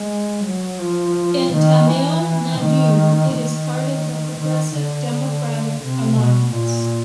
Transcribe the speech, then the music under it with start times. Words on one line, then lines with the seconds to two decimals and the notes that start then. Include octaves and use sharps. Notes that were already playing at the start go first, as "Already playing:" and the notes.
In Tamil Nadu it is part of the Progressive Democratic Alliance.
Already playing: G#3
0.44 F#3
0.80 F3
1.52 D#3
1.88 E3
2.59 D#3
3.32 D#3
4.39 D#3
4.75 D3
5.83 C3
6.18 B2
6.54 A#2